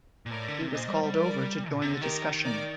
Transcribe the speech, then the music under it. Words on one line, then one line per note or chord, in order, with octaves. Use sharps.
He was called over to join the discussion.
A#2
A2 A#4 D5
D3
C3
A#2 C5 D#5
G3
G3
A#4 D5
A#2
C3
D3
D#3 G4 A#4
A#4 D5